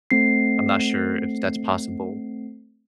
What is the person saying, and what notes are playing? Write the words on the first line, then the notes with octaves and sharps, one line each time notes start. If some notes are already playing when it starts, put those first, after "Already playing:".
I'm not sure if that's possible
A3 C4 C7